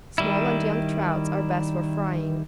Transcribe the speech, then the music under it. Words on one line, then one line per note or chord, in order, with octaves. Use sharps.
Small and young trouts are best for frying.
D#3 G3 E4